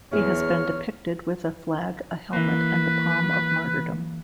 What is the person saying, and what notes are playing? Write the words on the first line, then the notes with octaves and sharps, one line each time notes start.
He has been depicted with a flag, a helmet and the palm of martyrdom.
E2 E4 G#4 C#5 F6
E3 A#3 B4